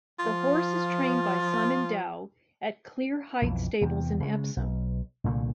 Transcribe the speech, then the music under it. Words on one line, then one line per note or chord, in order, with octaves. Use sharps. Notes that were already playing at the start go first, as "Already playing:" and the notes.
The horse is trained by Simon Dow at Clear Height Stables in Epsom.
F3 F4
B1 F2 E3
E2 C3
C#3 G#3
B1
C2 A#2 D3 A3